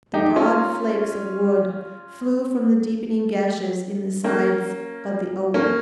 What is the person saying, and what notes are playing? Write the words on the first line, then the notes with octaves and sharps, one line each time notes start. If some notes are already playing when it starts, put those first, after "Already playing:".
The broad flakes of wood flew from the deepening gashes in the sides of the oak.
D#4 G4
C#4 F4
A#3 C#4
A#3 C#4